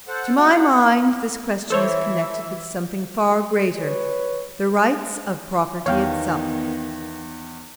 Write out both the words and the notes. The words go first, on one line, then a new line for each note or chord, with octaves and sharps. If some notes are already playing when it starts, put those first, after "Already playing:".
"To my mind this question is connected with something far greater, the rights of property itself."
A4 C5 F#5
A3 F#4 F#5
E3 A4 C5 C#5 E5
B4 C#5
E2 D#3 B3 C#5 F5 G5